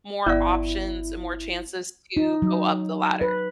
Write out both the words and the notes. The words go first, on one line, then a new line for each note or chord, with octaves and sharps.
more options, and more chances to go up the ladder.
G1 B3 E4 D5
D#4
F#3
B4